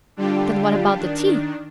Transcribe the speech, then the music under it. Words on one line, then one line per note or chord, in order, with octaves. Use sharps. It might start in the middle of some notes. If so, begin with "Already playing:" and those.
"Then what about the tea?"
D3 G3 D4 F4 G4
D#3 D4